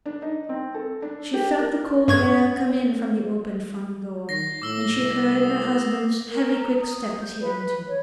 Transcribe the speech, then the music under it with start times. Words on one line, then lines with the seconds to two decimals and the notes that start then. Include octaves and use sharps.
She felt the cold air come in from the opened front door, and she heard her husband's heavy, quick step as he entered.
0.06 D4
0.22 D#4
0.49 C4
0.74 A4
1.02 D4
1.34 G4
1.57 A#4
2.08 G2 B3 C#4 C#6 G#6
4.29 D#3 A#6 C7
4.62 A2 D6 E6 G7
4.95 C2
5.43 D#6
6.30 A#4
6.57 A#5
6.80 D#6
7.21 G6
7.40 B4
7.87 C#5